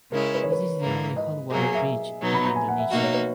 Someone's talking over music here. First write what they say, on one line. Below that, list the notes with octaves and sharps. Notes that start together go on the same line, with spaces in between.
This is the only hot water beach in Indonesia.
C#3 G#3 C#4 E4 A#4
B4
C#5
B4
G#2 E3 A#3
D#5
B2 F#3 A#3 G#4
G#4
E5
B2 F#3 B3 D#4
B5
A#5
G#5
F#5
E5
B2 A#3 D#4 F#4 E5
C#5
B4